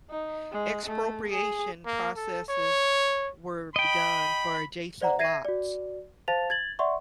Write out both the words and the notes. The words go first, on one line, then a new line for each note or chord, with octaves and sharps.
Expropriation processes were begun for adjacent lots.
D#4
G#3
A3
G#4
A#3
A4
C#5
D#5 G5 B5
C5 D5 F#5 A#5
E5 G#6 A#6 C7 D#7
F#4 D5
C5 F5 A5 A6 F7
G#6 A6 F#7
D5 E5 F#5 C6 C#6